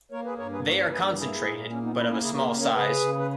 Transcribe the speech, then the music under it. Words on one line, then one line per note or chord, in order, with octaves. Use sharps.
They are concentrated, but of a small size.
A#3 A#4 C#5
G#4 B4
G2 A#4 C#5
G#4 B4
A#3 A#4 C#5
G2 G#4 B4
G4 A#4
A#3 E4 G#4
A#2
A#3 C#4
B3 D#4
A#3 C#4 E4
C#4 E4
C#3 E4 G#4
G4 A#4
C#3
A#4 C#5
C#3 G#4 B4
C#3
B4